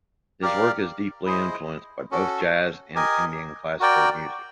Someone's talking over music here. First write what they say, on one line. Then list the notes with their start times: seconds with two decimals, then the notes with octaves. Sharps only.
His work is deeply influenced by both jazz and Indian classical music.
0.42 G4 A#4 D5 F5
1.26 E4 G#4 C5 D#5
2.11 C#4 F#4 A4
2.95 G4 A#4 D#5 G#5
3.80 F#4 A#4 D5 G5